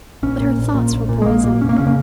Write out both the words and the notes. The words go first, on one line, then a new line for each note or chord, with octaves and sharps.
But her thoughts were poisoned.
A#1 C#4
A#2
A#1
A#2
A#1
A#2
G#3
A#1 A#3
A#2 A#3
F1 C#4
A#3
C#3 C#4
A#3